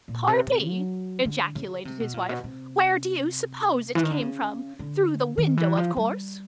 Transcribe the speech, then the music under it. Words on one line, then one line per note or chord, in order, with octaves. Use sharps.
"Pardie!" ejaculated his wife, "where do you suppose it came from? Through the window, of course."
A#2
C3
C3
F#3
D3
C#3
C3
B2
A#2
B2
C3
E3
D#3
D3
C#3
D3
D#3
E3
F3
G3